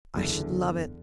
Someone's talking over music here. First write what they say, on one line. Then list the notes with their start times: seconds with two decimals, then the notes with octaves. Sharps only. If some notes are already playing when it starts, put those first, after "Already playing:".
"I should love it."
0.14 F#1 E2 D3